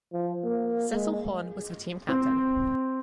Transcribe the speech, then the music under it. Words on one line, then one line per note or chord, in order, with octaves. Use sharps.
Cecil Horne was the team captain.
F3
A#3
G#3
C4